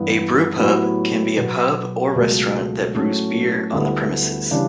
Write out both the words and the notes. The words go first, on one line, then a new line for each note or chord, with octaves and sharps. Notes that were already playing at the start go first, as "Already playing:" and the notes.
A brewpub can be a pub or restaurant that brews beer on the premises.
Already playing: G2 E3 B3
A2 F#3 B3 E4 G4
B2 F#3 B3
C#2 B2 F#3 A3
A2 F#3 A3 C#4
D2 D3 G3 B3 E4
C#3 E3 G3 D4